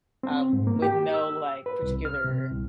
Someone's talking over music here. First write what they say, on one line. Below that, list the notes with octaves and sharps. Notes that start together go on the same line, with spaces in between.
um, with no, like, particular,
C4
G#2
A#3
G4
E6
B4
C2
F6
C3
C2